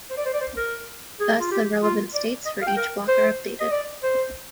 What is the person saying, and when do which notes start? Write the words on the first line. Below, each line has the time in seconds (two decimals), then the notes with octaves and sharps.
Thus, the "relevant states" for each block are updated.
0.10 C5
0.17 D5
0.25 C5
0.34 D5
0.41 C5
0.57 A#4
1.20 G#4
1.40 F4
1.52 G4
1.83 F4
2.14 D5
2.46 D#5
2.62 F5
2.67 G5
2.77 A#4
3.08 C5
3.60 D#5
3.71 D5
4.03 C5